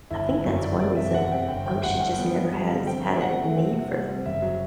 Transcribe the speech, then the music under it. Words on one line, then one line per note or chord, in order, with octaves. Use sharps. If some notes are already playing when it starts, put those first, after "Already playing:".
I think that's one reason, um, she just never has had a need for
G1 E4
G1 E4
F#2 F#4
F#2 D5
C4 D5
C3 E5
C3 F#5
C4 G5
G1 G5
E3 G5
G1 F#5
G2 G5
B3
B3
G3
D3
C4 G5
C4
C4 F#5
A3
C4
C3
G3
C4
F#1 E5
F#3